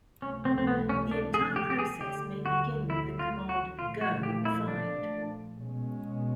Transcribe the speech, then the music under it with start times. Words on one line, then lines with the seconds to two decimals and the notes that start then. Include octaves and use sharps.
The entire process may begin with the command Go find!
0.22 C#2 C3 F3 A3 C#4
0.45 C4
0.58 C4
0.67 B3
0.89 C#4
1.11 D4
1.34 G#4
1.56 G4
1.70 G4
1.79 G#4
2.00 D2 D3 F#3 G4
2.46 F#4
2.90 E4
3.19 F4
3.49 F#4
3.79 A#2 F3 A3 F4
4.01 F#4
4.23 G4
4.45 E4
4.68 D4
5.56 B2 G#3 C#4